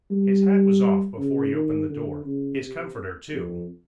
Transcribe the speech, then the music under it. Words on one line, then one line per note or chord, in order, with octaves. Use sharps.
His hat was off before he opened the door; his comforter too.
G3
C#3
D#3
D3
C#3
C3
F2